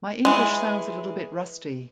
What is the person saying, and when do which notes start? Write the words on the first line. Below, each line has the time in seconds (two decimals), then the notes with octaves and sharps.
My english sounds a little bit rusty.
0.25 E3 G#3